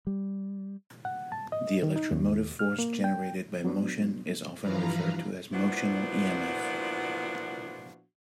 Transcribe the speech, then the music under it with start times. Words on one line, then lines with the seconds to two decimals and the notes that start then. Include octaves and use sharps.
The electromotive force generated by motion is often referred to as "motional emf".
0.07 G3
1.05 F#5
1.32 A5
1.52 D#5
1.83 D#3
1.96 D#4
2.11 D#2
2.59 F6
2.79 A#3
3.04 G5
3.65 F#3 B3 D4
4.62 G2 E3 F3 B4 F5 A#5
5.53 A#2 F3 B3 D4 E4 F#4